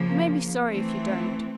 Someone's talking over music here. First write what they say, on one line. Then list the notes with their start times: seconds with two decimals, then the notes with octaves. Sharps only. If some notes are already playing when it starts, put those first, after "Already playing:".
"You may be sorry if you don't."
Already playing: C#3 F3 A#3
0.69 E3 A3 C4